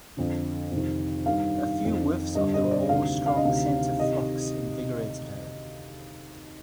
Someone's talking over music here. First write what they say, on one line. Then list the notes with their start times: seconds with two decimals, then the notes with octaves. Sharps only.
A few whiffs of the raw, strong scent of phlox invigorated her.
0.17 F2 D3
0.71 F2 C3 D#3
1.26 G2 D#3 F5
1.81 F2 D#3
2.35 G2 D3 D#5
2.54 D#5
2.64 C5
2.71 D5
2.89 D2 C3 D#3 F5
3.26 F5
3.36 D#5
3.44 D2 C3 D#3 F5
3.98 C3 D#3 D#5